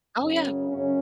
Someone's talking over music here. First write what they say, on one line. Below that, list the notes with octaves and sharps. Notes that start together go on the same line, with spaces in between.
Oh, yeah.
F#2 C#3 C#4
F#2 C#3 C#4